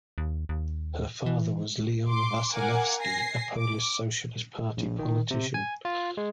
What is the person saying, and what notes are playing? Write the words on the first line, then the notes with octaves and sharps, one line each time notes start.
Her father was Leon Wasilewski, a Polish Socialist Party politician.
D#2
D#2
E3
C6 D6
A#4 F5 F#5 G#5 D6
G#5 A#6 C7
D6
A#1
D#3
C3
G#5
F4
G#3